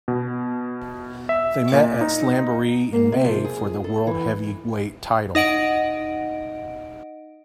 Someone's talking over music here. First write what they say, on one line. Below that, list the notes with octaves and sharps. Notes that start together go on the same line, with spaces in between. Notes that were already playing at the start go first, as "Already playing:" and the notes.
They met at Slamboree in May for the World Heavyweight Title.
B2
E5
A#2
D#4
A#3
C3
F3
G#4
A4
E3
D#4 D#5 F#5 D7